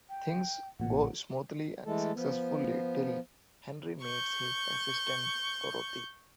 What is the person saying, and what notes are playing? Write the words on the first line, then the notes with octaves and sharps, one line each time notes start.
Things go smoothly and successfully till Henry meets his assistant Dorothy.
G5
A1 A#2 F#5
E3 G#3 A3 A4
F3 B3
C#6 G6